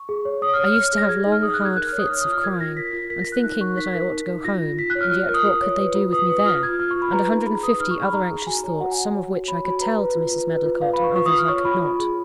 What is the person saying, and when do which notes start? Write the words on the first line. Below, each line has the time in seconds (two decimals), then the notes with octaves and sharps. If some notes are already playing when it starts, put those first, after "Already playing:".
I used to have long, hard fits of crying; and, thinking that I ought to go home--and yet what could they do with me there?--and a hundred and fifty other anxious thoughts, some of which I could tell to Mrs. Medlicott, and others I could not.
Already playing: C#6
0.09 G#4
0.25 C#5
0.42 C#5 D#6
0.53 F6
0.59 C#5
0.64 F6
0.76 C#5 F6
0.93 G#4 A#6
1.09 G#4 G#6
1.26 D#4
1.32 F6
1.42 G#4 D#6
1.54 F#6
1.60 D#4 G#6
1.76 A#4 F#6
1.87 F6
1.93 C#5
1.99 D#6
2.10 C#5 F6
2.21 D#6
2.26 F4
2.33 F6
2.44 A#4 G#6
2.60 F4 A#6
2.77 A#4 B6
2.93 F4
3.10 A#4 B6
3.22 A#6
3.28 A#4 F#6
3.43 D#4 F#6
3.61 A#4 C#6
3.77 D#4 B6
3.95 A#4
4.12 D#4
4.28 D#4
4.44 F4 A#6
4.61 F4
4.78 F4 B6
4.90 F#6
4.95 C#5
5.01 F6
5.11 F4 F6
5.29 A#4 D#6
5.45 F4
5.62 C#5
5.79 B4
5.95 F4
6.13 B4 D#6
6.29 B4
6.40 D#6
6.45 F4 F6
6.62 F4 G#6
6.79 F4 F6
6.91 F4 C#6
7.02 B5
7.12 B4 A#5
7.30 D#4
7.46 G#4 B5
7.63 B4 D#6
7.79 D#4 F6
7.91 C#6
7.97 G#4
8.03 B5
8.13 D#4 A#5
8.31 G#4
8.47 F#4 G#5
8.63 C#5 A#5
8.80 F#4 F#5
8.91 G#5
8.98 F#4
9.14 C#5
9.31 F#4
9.48 C#5 B5
9.65 F#4 B5
9.81 B4 A#5
9.99 B4
10.15 F4
10.31 B4
10.48 B4
10.65 F4
10.82 B4 F5
10.94 B5
10.99 B4
11.04 C#6
11.16 F4 C#6
11.26 D#6
11.32 F4
11.38 F6
11.48 C#5 C#6
11.65 F4 B5
11.82 F4
11.99 G#4